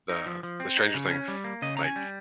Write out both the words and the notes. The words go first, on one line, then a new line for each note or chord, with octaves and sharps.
the the Stranger Things, like,
D#4
F3
F3
C4
D#4
C#3
C#4
G3
A#3
C#3 D#5
C#4 A#5
G#5
G3